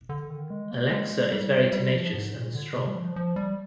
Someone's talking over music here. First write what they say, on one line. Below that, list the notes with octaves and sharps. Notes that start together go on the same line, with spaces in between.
Alexa is very tenacious and strong.
D3
D#3
G#3
A#3
G#3
G3
G3
F3
G#2
A#2
D3
C3
G3
F3
F3
G3